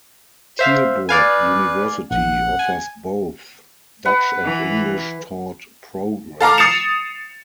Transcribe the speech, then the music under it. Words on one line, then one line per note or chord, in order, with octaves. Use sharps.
Tilburg University offers both Dutch-and English-taught programs.
C5 E5 F5
B4 D5 F5 G#5
A#1 F#5
G#5
B4 F#5
E3
A4 F5 A#5 D6
D#6 A6 C7 C#7 E7 F7